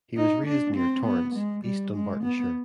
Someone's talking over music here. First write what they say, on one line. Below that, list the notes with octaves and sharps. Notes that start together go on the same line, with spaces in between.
He was raised near Torrance, East Dunbartonshire.
D#4
D4
C4
B3
G#3
G3
G#3
B3